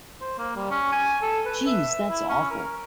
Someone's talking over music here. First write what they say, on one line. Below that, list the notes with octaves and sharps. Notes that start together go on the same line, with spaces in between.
Jeez, that's awful!
C5
A#3
G3
C#4
G#5
A4
B4
E5
E4
C#4
A#4